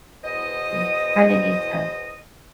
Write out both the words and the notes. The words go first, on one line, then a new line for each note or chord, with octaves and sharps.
"You kinda need to
E2 B2 E3 C5 D#5